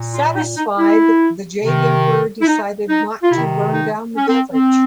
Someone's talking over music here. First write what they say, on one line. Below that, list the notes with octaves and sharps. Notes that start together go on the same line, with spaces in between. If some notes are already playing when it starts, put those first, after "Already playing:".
Satisfied, the Jade Emperor decided not to burn down the village.
Already playing: A#2
F4
D#4
D#4
E4
C3 D#3
E4
D#4
D#4
F4
C3 D#3 E4
D#4
C#4
C4
C4